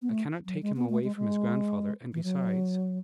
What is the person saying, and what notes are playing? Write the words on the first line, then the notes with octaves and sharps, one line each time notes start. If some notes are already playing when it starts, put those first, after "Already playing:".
"I cannot take him away from his grandfather, and besides..."
B3
A3
F#3
G#3
B3
A3
G#3
G#3
E3
F#3